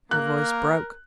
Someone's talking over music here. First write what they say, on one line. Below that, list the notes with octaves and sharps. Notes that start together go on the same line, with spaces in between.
Her voice broke.
A#3 A#4 F#6